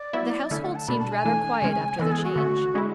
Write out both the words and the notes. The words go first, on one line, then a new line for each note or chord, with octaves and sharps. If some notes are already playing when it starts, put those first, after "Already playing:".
The household seemed rather quiet after the change.
Already playing: D5
F#3 B3 E4
D3 A3 C#4 E4 E5
F#5
A5
B2 A3 D4 B5
A5
G#5
E3 A3 D4
C#3 G#3 C#4
E3 G#3 B3 A4
G#4
F#4
D3 A3 C#4
D3 G#3 C#4 E4